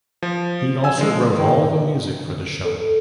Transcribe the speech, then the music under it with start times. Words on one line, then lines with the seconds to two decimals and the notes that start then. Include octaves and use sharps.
He also wrote all the music for the show.
0.22 F3
0.84 G#5 E6
0.98 F3 G#3
1.36 D#3
2.65 A4